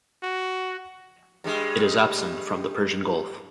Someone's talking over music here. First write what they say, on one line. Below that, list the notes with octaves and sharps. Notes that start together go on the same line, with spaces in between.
It is absent from the Persian Gulf.
F#4
G2 G3 G#3